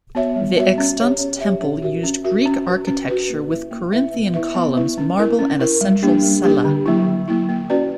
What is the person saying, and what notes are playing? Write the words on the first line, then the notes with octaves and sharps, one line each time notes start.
The extant temple used Greek architecture with Corinthian columns, marble, and a central cella.
B3 F#4 C#5 E5
G3
B3 F#4 C#5 E5
C#4
G4 C#5 E5
C#4
G4 C#5 E5
C#4
F#4 A#4 E5
C#4
F#4 A#4 E5
C#4
F#4 B4
C#4
F#4 B4
A#3
E4 B4 E5
A#3
E4 B4 E5
B3
E4 B4 E5
B3
E4 B4 E5
C#4
E4 A#4
C#4
E4 A#4
G3
A#3 D4 G4
G3
A#3 D4 G4
D3
F#3 A#3 E4
D3
F#3 A#3 E4
A#3
C#4 F#4 B4 D5